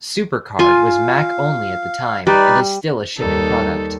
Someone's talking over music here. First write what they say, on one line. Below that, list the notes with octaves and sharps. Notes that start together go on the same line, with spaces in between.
SuperCard was Mac-only at the time, and is still a shipping product.
F4 F5 G#5
G3 D#4 B4 D5
D#2 G3 D#4 A4